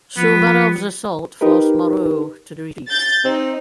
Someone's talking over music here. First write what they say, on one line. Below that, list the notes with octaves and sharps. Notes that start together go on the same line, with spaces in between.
Suvarov's assault forced Moreau to retreat.
F3 B3
D#4 G4 A#4 B4
G6 A6
C4 D#4